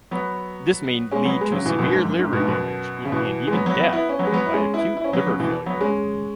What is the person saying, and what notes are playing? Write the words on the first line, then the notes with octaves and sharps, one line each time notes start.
This may lead to severe liver damage and even death by acute liver failure.
F#3 B3
G#3 C#4
F#3 B3
G#3
C#3 F#3
B2 E3
F#2 B2
G#2
F#2
G#2
B2
G#2
F#2 B2
C#3
B2 E3
G#3
F#3 B3
F#3 B3
F#3 B3
B3 E4
C#4
F#3 B3
G#3
F#3 B3
E4
G#3 C#4
B3 E4
E4
C#4
F#3 B3
C#3 F#3
B2 E3
F#3 B3
G#3 C#4